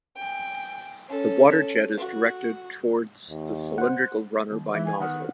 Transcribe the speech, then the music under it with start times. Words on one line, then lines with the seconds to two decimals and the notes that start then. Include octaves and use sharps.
The water jet is directed towards the cylindrical runner by nozzle.
0.15 G5 G#5
1.08 C#4 A4
1.97 F#4
3.30 D#2
3.78 C5 F#5
4.52 D#2
4.74 E3 E5
4.86 G#5
5.00 D#3 B3 F#5